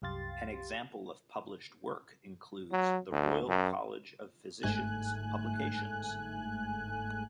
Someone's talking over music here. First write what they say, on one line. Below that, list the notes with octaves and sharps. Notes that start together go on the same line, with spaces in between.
An example of published work includes the Royal College of Physicians publications.
C2 F#2 G4 F5 C6 A6
F#3
D2
F#2
G1 G#2 A3 G#5 F#6